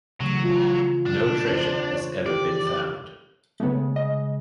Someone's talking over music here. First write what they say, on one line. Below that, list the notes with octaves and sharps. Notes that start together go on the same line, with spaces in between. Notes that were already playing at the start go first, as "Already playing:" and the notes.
No treasure has ever been found.
C#3 E3 F#3 A3
F4
D4
D#4 C5
C#5
G4 D5
C#3 G#3 A3 B3
D#5